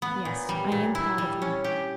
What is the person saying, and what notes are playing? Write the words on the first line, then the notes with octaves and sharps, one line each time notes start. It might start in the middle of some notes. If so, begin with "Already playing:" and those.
"Yes, I am proud of you."
B3
A#2
G3
A#2
E4
G3
C#4
G4